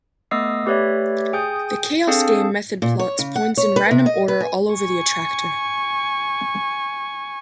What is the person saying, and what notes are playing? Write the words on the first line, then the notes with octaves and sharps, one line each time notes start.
The "chaos game" method plots points in random order all over the attractor.
A3 B3 D#5 D#6 E6 C7
A3 G4 B4 C#5 D5 E5
G#4 G5 G#5 D#6 G6
C4 D4 G#4 A4 F5 A5
A#2
C#5
C#3
F#5
C#5
B4
C3
D#5
B4
G#5
G#5 C#6